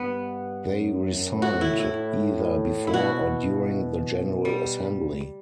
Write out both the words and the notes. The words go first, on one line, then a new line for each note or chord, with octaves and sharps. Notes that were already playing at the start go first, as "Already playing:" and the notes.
They resigned either before or during the general assembly.
Already playing: G2 B3
F#2
A2 F#4
E4
E4
E4
B2 F#4
G3